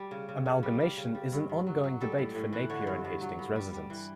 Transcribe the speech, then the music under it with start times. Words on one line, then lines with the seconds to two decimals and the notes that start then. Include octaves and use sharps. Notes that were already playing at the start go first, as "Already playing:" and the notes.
Amalgamation is an ongoing debate for Napier and Hastings residents.
Already playing: G3
0.11 C#3
0.29 C#3
0.46 C#3
0.63 G3
0.81 G3
0.97 C#3
1.15 G3
1.32 G2
1.49 G2
1.67 F#3
1.84 F#3
2.01 G3 A4
2.18 A2
2.35 A2
2.53 E3
2.70 D3 C#5
2.87 G2
3.05 G2
3.21 F#3
3.39 G2
3.56 G3
3.73 G3
3.90 E3